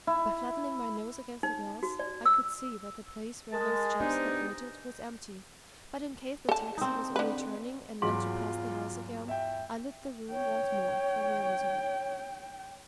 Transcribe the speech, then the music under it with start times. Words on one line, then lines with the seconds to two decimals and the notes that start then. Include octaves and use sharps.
By flattening my nose against the glass I could see that the place where those chaps had waited was empty; but in case the taxi was only turning, and meant to pass the house again, I lit the room once more, for realism.
0.07 E4
1.43 D#4
1.83 F#4
1.99 D5
2.25 E6
3.53 G#3 A#4 A5
4.00 B3 D4 D#4 G4 C5
6.49 A4 A5
6.78 C4 D#4
7.16 D3 B4
8.02 E2 G#2 F#3 F4 D6
9.28 E5 G5
10.32 C#5 G5